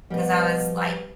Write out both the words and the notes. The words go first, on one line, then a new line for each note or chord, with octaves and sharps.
'cause I was, like,
B2 F3 G3 B3